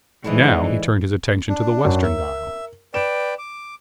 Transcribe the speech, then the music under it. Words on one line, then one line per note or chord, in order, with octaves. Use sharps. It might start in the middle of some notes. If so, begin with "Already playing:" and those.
Now he turned his attention to the western dial.
G#2 D3 E3 E4 D#5
D4
F#2
A#4 E5
B4 D5 G5 E7
D6